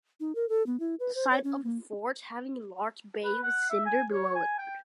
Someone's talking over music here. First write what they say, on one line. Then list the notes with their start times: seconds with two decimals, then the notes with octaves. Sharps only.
The site of a forge having a large bay with cinder below it.
0.20 D#4
0.35 A#4
0.49 A4
0.66 B3
0.80 E4
1.00 B4
1.15 C5
1.31 C#5
1.44 C#4
1.64 A#3
3.24 B4
3.43 F#5
3.70 E5
3.86 G#5
4.13 C#5
4.35 G#5
4.58 G5